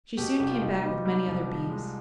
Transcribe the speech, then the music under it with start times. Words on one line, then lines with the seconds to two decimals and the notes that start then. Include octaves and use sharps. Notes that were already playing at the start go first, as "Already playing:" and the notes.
She soon came back with many other Bees.
0.17 B2 G4
0.39 C2 G4
0.51 F4
0.61 B2 D#4
0.82 G3 D#4
1.05 G3
1.27 C2
1.48 F3
1.70 G#3